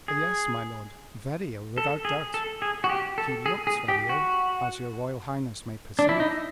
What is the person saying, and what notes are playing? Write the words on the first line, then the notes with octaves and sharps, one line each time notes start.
"Yes, my lord, very ill, without doubt; he looks very ill, as your royal highness may perceive."
G#4
A4
G#4
A4
G#4
F#4
G4
A4
G#4
G#4
G4
F#4
D4
E4
D#4